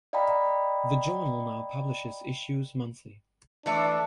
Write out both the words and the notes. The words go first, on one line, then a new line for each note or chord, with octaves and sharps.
The journal now publishes issues monthly.
D5 D#5 F5 G5 A#5 B5
E3 A3 D4 E5